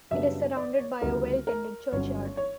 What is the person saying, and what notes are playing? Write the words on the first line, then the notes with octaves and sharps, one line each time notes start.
It is surrounded by a well tended churchyard.
F#2 C#3 G3 B3 D4 E5
D5
C#5
D2 C#3 G3 B3 E4 A#4
A#4
G1 G2 F#3 C#4 C#5
C#5